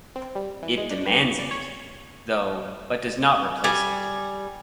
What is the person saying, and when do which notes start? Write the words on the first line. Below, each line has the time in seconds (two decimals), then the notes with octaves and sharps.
It demands it, though-but does not replace it.
0.16 C4
0.35 G3
0.63 E3
0.78 G#3
0.91 D4
1.06 B4
1.20 D#2
1.39 D5
1.51 C#5
3.64 G3 G#5